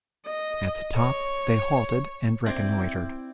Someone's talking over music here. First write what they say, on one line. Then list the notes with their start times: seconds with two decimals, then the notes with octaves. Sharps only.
At the top they halted and reconnoitred.
0.26 D#5
0.97 C#5
2.46 C4 E4 D5